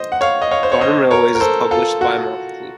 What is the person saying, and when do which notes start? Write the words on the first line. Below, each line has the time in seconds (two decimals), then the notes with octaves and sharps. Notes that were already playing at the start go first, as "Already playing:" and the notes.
"Garden Railways" is published bi-monthly.
Already playing: C5 D#5
0.12 F#5
0.21 C#5 F5
0.42 D#5
0.51 C#5 F5
0.63 C5
0.72 C#5
0.81 C5 D#5
1.11 A#4 C#5
1.35 A#4
1.41 A4 C5
1.71 F4 A4
2.01 F#4